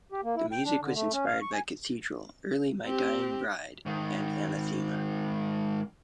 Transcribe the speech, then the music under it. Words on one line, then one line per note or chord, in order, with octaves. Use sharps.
The music was inspired by Cathedral, early My Dying Bride and Anathema.
G4
A#3
E4
G5
D4
D3
A3
C#4
F5
C#6
G#5
C4 G4
G#2 D#3